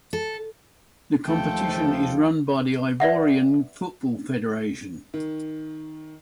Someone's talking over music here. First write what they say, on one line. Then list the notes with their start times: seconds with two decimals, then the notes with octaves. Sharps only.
The competition is run by the Ivorian Football Federation.
0.13 A4
1.27 D#2 F3 A3 A4 G5
3.00 B4 D5 E5 F#5
5.14 D#3